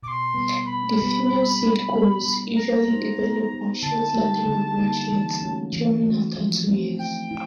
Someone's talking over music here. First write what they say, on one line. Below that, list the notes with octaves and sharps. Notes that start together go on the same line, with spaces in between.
The female seed cones usually develop on short lateral branchlets, maturing after two years.
B2 D6
C6
G3 B3
B2 B5
G3 B3
G3
B3 D4
G3
B3 D4
B3 A#5
D#4 G4 C5
B3
D#4 G4 C5
D3 A5
G3 A#3 D#4 G4
D3
G3 A#3 D#4 G4
E3
A3 C#4 F#4
E3
A3 C#4 F#4
F3
A3 C4 E4
F3 G5
E4